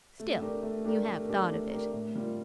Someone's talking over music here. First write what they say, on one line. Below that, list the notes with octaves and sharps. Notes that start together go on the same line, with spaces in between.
"Still, you have thought of it?"
A3
D4 G4 A#4
A3
D4 G4 A#4
A3
D4 G4 A#4
A3
D4 G4 A#4
A2
G3 A#3 F4